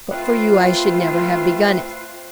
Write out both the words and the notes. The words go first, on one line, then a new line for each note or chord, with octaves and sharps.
But for you I should never have begun it.
A3 C4 F4 B4 C5